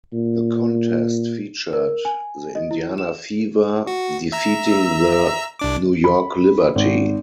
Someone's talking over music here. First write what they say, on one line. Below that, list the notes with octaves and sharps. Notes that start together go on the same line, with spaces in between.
The contest featured the Indiana Fever defeating the New York Liberty.
A#2
A#4
G#5
D#5
E4
E7
F#4
E5 A#5 E6
C2 D4 D6
B5
G#1